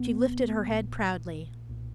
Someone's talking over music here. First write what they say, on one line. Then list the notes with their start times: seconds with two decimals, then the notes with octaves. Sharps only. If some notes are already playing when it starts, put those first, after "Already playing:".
She lifted her head proudly.
Already playing: B1 A#2 B3
0.66 A#1 A#2
1.69 B1 A#2